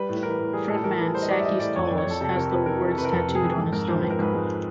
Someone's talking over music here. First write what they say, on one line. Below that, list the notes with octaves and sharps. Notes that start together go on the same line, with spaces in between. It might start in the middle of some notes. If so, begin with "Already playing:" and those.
Frontman Sakis Tolis has the words tattooed on his stomach.
Already playing: G3 B4
A2
B4
E3 A#4
B4
A2
G3 G#4
A2 A4
E3 A#4
E3 B4
G3 C5
D#5
G3 D5
E5
E3 D#5
A2 D5
F2 C#5
F2 D5
C#5
F2 A4
C3 A4
C3 A#4
C3 B4
E3 A#4
C3
A4
C3 B4
A#4
F2 A4
C3
G#4
F2
G#2 A4
G#2 A#4
F3 C5
G#2 B4
A#4
G#2 B4
G#3